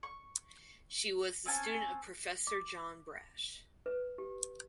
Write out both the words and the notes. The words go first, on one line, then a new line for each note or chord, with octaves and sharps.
She was the student of Professor John Brash.
C#6
C4 C#4 G#5 A5
D6
B4
G4